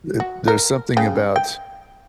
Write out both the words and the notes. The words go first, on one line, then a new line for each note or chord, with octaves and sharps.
a there's something about,
F#4
A#4
C#3 G5
G5